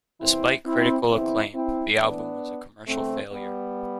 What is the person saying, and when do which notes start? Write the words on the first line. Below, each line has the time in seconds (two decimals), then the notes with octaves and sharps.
Despite critical acclaim, the album was a commercial failure.
0.20 E2 C3 E3 C4 E4
0.66 C4 E4
1.09 E2 D3 C4 E4
1.54 C4 E4
1.98 A2 E3 B3 D4
2.87 E2 D3 A3 C4
3.31 G3 B3